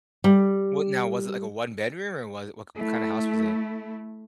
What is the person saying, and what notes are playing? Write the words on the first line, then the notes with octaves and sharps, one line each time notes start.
What now was it like a one bedroom or was it what what kind of house was it?
G3
A3 E4